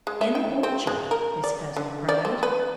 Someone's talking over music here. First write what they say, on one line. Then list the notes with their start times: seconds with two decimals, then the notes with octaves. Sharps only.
"In the orchard!" his cousin cried.
0.07 G#3
0.21 E5
0.35 G5
0.63 C4
0.87 G#3
1.11 A#4
1.44 D5
1.76 D3
2.09 D5
2.25 C4
2.43 B4